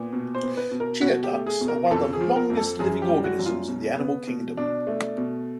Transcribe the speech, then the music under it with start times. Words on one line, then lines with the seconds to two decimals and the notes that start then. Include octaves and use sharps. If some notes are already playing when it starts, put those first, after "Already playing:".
Geoducks are one of the longest-living organisms in the animal kingdom.
Already playing: A#2 B3
0.13 B2
0.35 C5
0.43 B3
0.57 B4
0.71 B2
0.80 A#4
1.01 B2 F#4
1.24 G4
1.31 A3
1.47 G#4
1.61 B2
1.68 A#4
1.91 F2 A4
2.13 G#4
2.21 F3
2.36 A#4
2.50 F2
2.57 A4
2.79 F#2 G#4
3.02 G4
3.09 G3
3.24 F#4
3.39 F#2
3.46 F4
3.68 B2
3.98 B3
4.27 B2
4.57 B2 D4
4.87 A3
5.18 B2